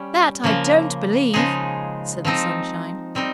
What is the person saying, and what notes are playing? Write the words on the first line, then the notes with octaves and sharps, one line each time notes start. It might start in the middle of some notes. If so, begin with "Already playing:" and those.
"That I don't believe," said the Sunshine.
Already playing: G3 C#4
C#3 F3 A#3
C#3 F3 G#3 D#4 G#4
F3 C4 D#4
G3 C4 D#4